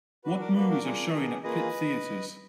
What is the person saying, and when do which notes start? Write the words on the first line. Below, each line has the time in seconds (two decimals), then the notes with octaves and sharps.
What movies are showing at Plitt Theatres.
0.25 D4 F#4 B4
0.40 A#4 D5
0.55 A#3 D4 F#4 B4
0.70 A#4 D5
0.84 D4 F4 G#4
1.14 B3 D4 G#4 A#4
1.43 A#3 F4 G#4 B4 D#5